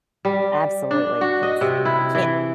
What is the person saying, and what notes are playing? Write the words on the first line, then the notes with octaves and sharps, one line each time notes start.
Absolutely, 'cause I can't
G3
D4
F#4
D#5
C3
E4
E3